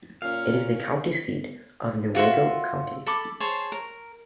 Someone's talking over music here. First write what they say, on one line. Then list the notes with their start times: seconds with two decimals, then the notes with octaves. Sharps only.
It is the county seat of Newaygo County.
0.22 A#2 C#4 F5
2.15 F4 F#4 E5 C6
3.07 A4 B5 D6
3.40 G#4 C5 C#5 A5
3.72 A#4